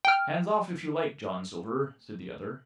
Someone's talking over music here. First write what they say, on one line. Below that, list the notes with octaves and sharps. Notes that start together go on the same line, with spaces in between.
"Hands off, if you like, John Silver," said the other.
G5 F6